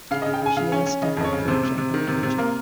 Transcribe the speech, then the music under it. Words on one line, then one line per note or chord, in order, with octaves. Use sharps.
She has starred in films and on television.
C#3 F5
D#5
C#3
G5
C#3 G#5
C#3 F5
C#4
C#4
C#3 D#5
F2 D#5
C#5
C#3
C3 C5
C3
C3
D#3
C3
C3
A#3 A#4